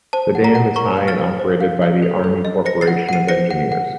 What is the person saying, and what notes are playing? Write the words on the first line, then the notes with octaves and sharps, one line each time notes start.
The dam is high and operated by the Army Corporation of Engineers.
C5 A5
F#5
A#5
F#5
A#4 A#5 C#6
F5
F6 A6
F5
C5
F5
F5
A4
A4
D#5
C5 A#6 C#7
A6 C7
F#5
F#5 C7 D#7
C5 A#6 C#7
F#5
F#5